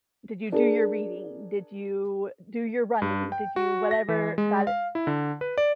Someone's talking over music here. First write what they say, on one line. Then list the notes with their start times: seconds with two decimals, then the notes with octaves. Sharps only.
did you do your reading? Did you do your running? Did you" whatever, that
0.52 D4 G#4 A#4
3.02 G2
3.32 G5
3.56 F#4
3.91 A#6
4.08 E3
4.38 G#3
4.67 F5
4.95 E4
5.07 D3
5.41 B4
5.58 D5